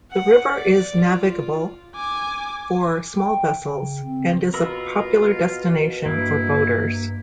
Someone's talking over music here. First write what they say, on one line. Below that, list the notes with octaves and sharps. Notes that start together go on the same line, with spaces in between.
The river is navigable for small vessels and is a popular destination for boaters.
F#5
D5
F4
G#5 D6
G5
C#3
C4
B2 F4 A#4 B5 E6
G2 A#3 E4